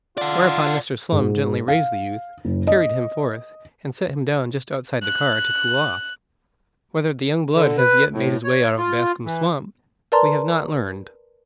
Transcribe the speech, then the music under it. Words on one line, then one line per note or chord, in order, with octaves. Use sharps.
Whereupon Mr. Slum gently raised the youth, carried him forth, and set him down just outside the car to cool off. Whether the young blood has yet made his way out of Bascom's swamp, we have not learned.
F4 D5 F#5
G#2
F5
F#1
D#5
F#6
D3
B4
A2
C#5
F4
E3
A#4 B4 D5 A5 A#5 C6